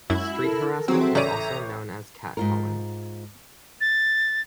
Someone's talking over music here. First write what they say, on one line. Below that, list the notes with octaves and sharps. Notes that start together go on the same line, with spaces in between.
Street harassment is also known as catcalling.
F#2 G#3 C#4 E4 F#4
A4 A#4
D#3 F#3 C4 D#4 F#4 G#4 C#5
A4 E5
A1 C#3 C#5 D5 A#5 D#7
G#2 F4 A#4
A6